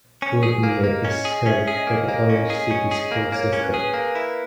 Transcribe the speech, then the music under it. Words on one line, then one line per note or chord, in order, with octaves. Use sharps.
Woodmere is served by the Orange City School System.
C#4
G#4
A#3
A#3 D#5
C#4
G#4
C#4 E5
G#4
D#5
A#3
A#3
C#4
G#4
C#4
G#4
A#3
A#3 C#5
C#4
B4
G#4
A#3
E4